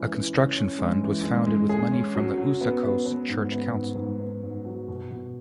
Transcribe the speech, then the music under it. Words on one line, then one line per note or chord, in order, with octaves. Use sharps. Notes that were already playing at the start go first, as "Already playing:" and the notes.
A construction fund was founded with money from the Usakos church council.
Already playing: E3 G#3 C#4
E3
C#4
C#4
G#3
E3
G#3
G#3
G#4
C#4
F#3
F#3
B3
B3
B3
G#2
B3
G#2
G#2
B3
G#2
F#3
B2
B2